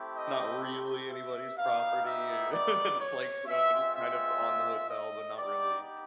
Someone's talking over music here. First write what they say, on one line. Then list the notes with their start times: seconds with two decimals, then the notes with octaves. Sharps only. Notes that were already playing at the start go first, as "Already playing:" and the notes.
it's not really anybody's property, a and it's, like, you know, just, kind of, on the hotel, but not really,
Already playing: A3 C4 E4 G4
0.15 D#5
1.08 E5
1.57 B3 D#4 G4 F5
2.03 E5
2.52 D5
2.99 C#5
3.46 G#3 C4 F4 E5
3.94 E5
4.89 D#5
5.36 B3 D#4 G4 D5